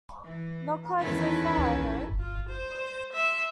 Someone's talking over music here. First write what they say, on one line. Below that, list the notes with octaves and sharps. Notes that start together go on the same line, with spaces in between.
Not quite so far, I hope?
E3
E2 D#3 C#4 E4 A4 B4
F4
C5
E5 C6